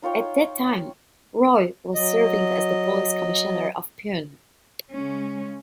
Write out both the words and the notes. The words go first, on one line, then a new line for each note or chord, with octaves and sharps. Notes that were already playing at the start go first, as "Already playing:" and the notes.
At that time, Roy was serving as the Police Commissioner of Pune.
D#4 F4 C#5 G5
F#3 D#5
C#3 G#3 C#4